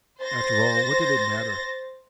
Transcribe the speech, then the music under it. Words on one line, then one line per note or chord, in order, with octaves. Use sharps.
After all, what did it matter?
C5 A6 A#6